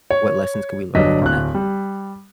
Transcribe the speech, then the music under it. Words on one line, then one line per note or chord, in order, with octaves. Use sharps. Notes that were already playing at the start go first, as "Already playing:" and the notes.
what lessons could we learn from that?
C#5
G1 F#3 D4 D#5 B6
D1 F#6
G3